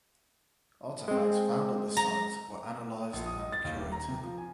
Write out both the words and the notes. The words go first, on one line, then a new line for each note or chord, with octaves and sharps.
Artifacts found at the site were analyzed and curated.
G#3 C4
A#5
A#1
D#6
D#5
A6
D#2
D#1
A#5
C3
F3
G#5